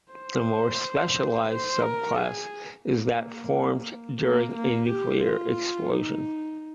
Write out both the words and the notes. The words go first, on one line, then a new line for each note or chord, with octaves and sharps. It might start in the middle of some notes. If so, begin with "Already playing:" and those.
A more specialised subclass is that formed during a nuclear explosion.
C5
C5
A#4
G#4
A#3
A#3
A#3
G4
F4
D#4